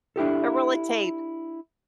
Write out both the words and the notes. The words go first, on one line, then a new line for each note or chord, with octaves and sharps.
A roll of tape.
D4 E4 G4 A4